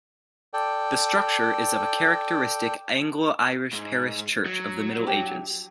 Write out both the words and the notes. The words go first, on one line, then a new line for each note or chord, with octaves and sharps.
The structure is of a characteristic Anglo-Irish parish church of the Middle Ages.
A4 D5 G5
G#2
F#3
D4 E4 G4